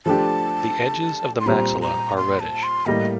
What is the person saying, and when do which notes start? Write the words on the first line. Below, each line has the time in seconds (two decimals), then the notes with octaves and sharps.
The edges of the maxilla are reddish.
0.06 F3 A3 D4 G4 A5
1.40 C6
1.46 A#2 G3 C4 G4 A#5
1.82 A#5
2.17 C6
2.40 A5
2.63 C6
2.86 A2 G3 A#3 D#5